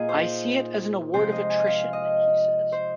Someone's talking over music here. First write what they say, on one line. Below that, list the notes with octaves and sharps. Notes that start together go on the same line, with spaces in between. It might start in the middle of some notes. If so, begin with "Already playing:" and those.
"I see it as an award of attrition," he says.
Already playing: A#2 A#3 D#4 F4 G#4
C5
C3 F3 G#3 C5
D#5
G#5
F5
D#5
C5